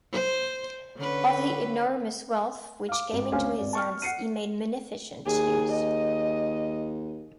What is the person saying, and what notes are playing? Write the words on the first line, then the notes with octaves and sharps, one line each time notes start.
Of the enormous wealth which came into his hands he made munificent use.
C5
D3 C#4 B4
F5 D6
G#1
D2 C#4 C5 F5 G#5
G#1 D5
A5 C#6 F6
F#5 C7 C#7 D#7
D#2 G#4
D#5